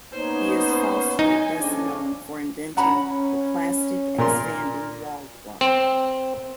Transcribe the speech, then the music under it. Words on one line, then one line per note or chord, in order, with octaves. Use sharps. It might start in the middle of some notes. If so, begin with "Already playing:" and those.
He is falsely best known for inventing, the plastic expanding wall plug.
A#3 B3 C#4 D#4 C5 C#5
D#4 G#5
A#1 F2 F3 C#4 D4
C#4 F#5 A#5 B5
A#2 A#4 C6
C4